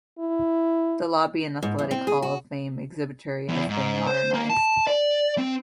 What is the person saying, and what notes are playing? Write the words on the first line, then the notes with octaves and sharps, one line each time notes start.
The lobby and Athletic Hall of Fame exhibitry have been modernized.
E4
G#2
E2
C4
G#4
F#4
E2
G#2
C5
A#3
A5
D5
C4